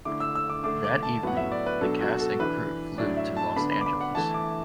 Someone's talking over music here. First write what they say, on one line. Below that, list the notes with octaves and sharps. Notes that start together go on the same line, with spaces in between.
That evening, the cast and crew flew to Los Angeles.
D3 A3 E4 D6
E6
E6
D6
D3 A3 D4 D6
D6
A5
A2 F#3 B3 F#5
E5
D5
B4
B2 F#3 D4 A4
F#4
A4
E3 D4 B4
A2 F#3 D4 D5
E5
A5
D3 B3 D4 B5
B5
D6
B5
F#5
E3 A3 E4 A5
D6